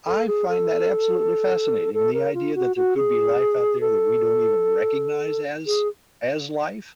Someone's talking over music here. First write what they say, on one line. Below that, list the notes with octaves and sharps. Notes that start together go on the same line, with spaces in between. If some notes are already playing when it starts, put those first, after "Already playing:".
I find that absolutely fascinating, and the idea that there could be life out there that we don't even recognize as as life.
A4
G#4
A4
A4
A#4
F4
F#4
F#4
G#4
A4
G#4